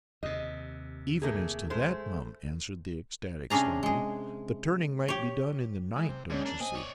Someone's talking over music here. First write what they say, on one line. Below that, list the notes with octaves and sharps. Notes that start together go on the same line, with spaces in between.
'Even as to that, mum,' answered the ecstatic Sloppy, 'the turning might be done in the night, don't you see?
D#2 C3 D#5
A3 A#3 G#4
G#3 A3 C5
C3 C#4 D4 G#4 A#5
G#3 G#4
G4 C#5
E3 G#3
C3
G#2 D3 G#3 C#4 G#4
A#3 D4
C4 D#5 G#5
C#5 D5